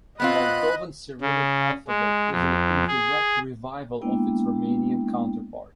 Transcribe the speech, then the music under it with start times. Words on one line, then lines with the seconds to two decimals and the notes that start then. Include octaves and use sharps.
Moldovan Cyrillic alphabet is an "indirect" revival of its Romanian counterpart.
0.20 B3 C4 F4 D#5 B5 F#6
1.22 C#3
1.88 G#3
2.31 F2
2.87 G#4
4.02 G#3 A#3 B3 D4 E4 G5